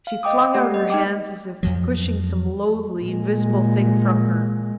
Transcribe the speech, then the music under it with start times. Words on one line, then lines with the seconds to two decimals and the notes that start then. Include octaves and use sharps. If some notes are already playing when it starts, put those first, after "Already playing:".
She flung out her hands as if pushing some loathly, invisible thing from her.
0.07 F5
0.23 D#5 G5 D6 D#6
0.54 A3 G4 D5 F#5
0.74 D#5
0.90 D#4 G5 D6
1.63 F2 F3 F#3
3.00 A#2 G#3